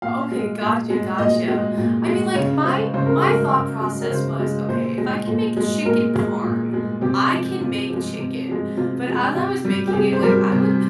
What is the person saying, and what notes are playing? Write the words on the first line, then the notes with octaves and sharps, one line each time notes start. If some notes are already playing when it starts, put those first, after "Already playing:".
Okay, gotcha, gotcha. I mean, like, my my thought process was, okay, if I can make chicken parm, I can make chicken, but as I was making it, like, I would
A#2 F5
G#3
A#2
G#3
A#2 D#5
G#3
A#2
G#3
C#3 C#5
G#3 C5
C#3 C5
A#4
G#4
G#3
A#4
C#3
G#3
A#4
C#3 C5
G#3
A#2 C5
G#3
A#2
G#3
A#2 A#4
G#3
A#2
G#3
C3 G4
F3 G#3
C3 F4
F3 G#3
C3
F3 G#3
C3 F4
F3 G#3
C3 G4
G3
G4
C3 G#4
C5
G3 A#4
C3